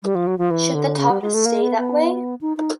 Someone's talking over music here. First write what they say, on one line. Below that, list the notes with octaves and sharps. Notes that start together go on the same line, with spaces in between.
Should the tuft stay that way?
G3
F3
F#3
F3
E3
D3
C#3
G3
G#3
A3
A#3
B3
B3
D#4
D#4